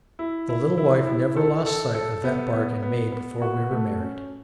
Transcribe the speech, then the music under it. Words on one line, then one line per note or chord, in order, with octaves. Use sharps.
The little wife never lost sight of that bargain made before we were married.
E4
E4
E4
E4
A4
A4
A4
B3
B3
B3
B3
F#4
A3
C#4